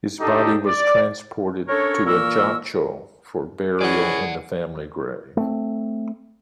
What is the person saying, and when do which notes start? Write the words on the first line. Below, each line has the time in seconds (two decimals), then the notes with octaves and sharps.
His body was transported to Ajaccio for burial in the family grave.
0.21 D4 D#4 G4 A4
0.65 D5
1.69 C#4 D4 A4 A#4 C#5
2.06 A#2 E3 A#3 A#4 C#6 E6
3.81 E3 C#4 G#4 D5 F#5
5.37 A3 C4